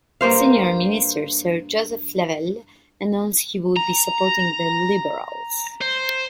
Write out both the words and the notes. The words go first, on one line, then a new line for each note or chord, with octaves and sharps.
Senior minister Sir Joseph Flavelle announced he would be supporting the Liberals.
G2 A#3 C5 F5
A#5
C5